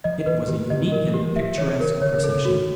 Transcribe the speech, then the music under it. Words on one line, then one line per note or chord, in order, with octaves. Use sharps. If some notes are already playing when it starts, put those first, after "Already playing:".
It was a unique and picturesque procession.
F3 D#5
E3 B4
D#3 G4
D3 D#5
D#3
A#4
E3
G4
E3
F3 E5
E3 C#5
D#3 A#4
D3 C#5
C#3
A4
C#3
F#4
D#3